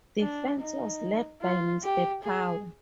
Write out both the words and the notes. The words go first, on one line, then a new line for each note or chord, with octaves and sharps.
Defence was led by Mr Power.
D4
D#4
F4
G4
G#4